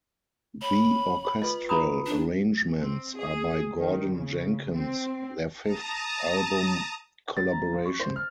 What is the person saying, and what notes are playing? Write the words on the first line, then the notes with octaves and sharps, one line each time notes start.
The orchestral arrangements are by Gordon Jenkins, their fifth album collaboration.
C#5 B5
F4 A4 B4 D#5
A#5 B5 D#6
D4
C4
G#4
D#3
C#3
C4
A5 A#5 D#6
A6
A#5
F3
C#6
C5
F6